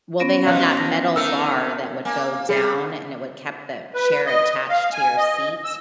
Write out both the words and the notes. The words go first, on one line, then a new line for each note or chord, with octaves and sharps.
Well, they have that metal bar that would go down, and it would kept the chair attached to your seat?
B3 C#4 A#6
B2 D#3 F3 F5 F#6
A#6
D#3 A3 A#4 E6
A#3 G#5
G3 G#4 C7
B4
D#5
F5
G#5
D#5
E6